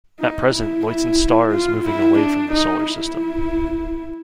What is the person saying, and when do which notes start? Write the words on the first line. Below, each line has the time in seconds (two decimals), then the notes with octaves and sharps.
At present, Luyten's Star is moving away from the Solar System.
0.20 D#4
0.52 E4
0.86 E4
1.51 F4
1.85 E4
2.18 D4
2.52 D#4
2.84 E4